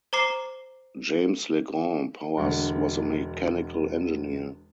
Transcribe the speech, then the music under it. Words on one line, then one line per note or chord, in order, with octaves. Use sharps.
James Legrand Powers was a mechanical engineer.
C5 A#5 D6 C7
E1 D3